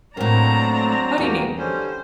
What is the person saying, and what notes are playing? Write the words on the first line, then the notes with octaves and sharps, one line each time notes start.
How do you mean?
A2 F#3 A#3 C4 D4 A#5
E2 A#3 F#4 G4
D3 G3 C#4 C5